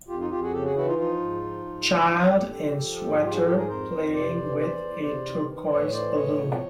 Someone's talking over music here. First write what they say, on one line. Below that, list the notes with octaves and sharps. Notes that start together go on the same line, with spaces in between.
Child in sweater playing with a turquoise balloon.
F2 F4 G4
D#4 F4
F2 F4 G4
F#4 G#4
C#3 G4 A4
F#4 G#4
E3 E4 F#4
D#4 F4
F3 D#4 F4
G#2
F3
G#2
F2
F2
D3 G4 A4
F3
F3
G#2
G#4
F3 F4 G4
F#4 G#4
G#2 G4 A4
G#4 A#4
F2 A#4 C5
F2
C3 C5 D5
E3
E2 C5 D5
E2
C3 C5 D5
D#3
E3
A2 C#5 D#5
E3 C5 D5
A2 C#5 D#5
F3